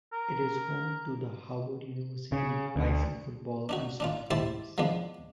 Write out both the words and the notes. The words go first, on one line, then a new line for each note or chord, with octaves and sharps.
It is home to the Howard University Bison football and soccer teams.
A#4
C#3
D2
D4 D#4 F#4
D4 D#4 F4
G#2 E4 G4 C5 A5
F3 G#3 B3 D4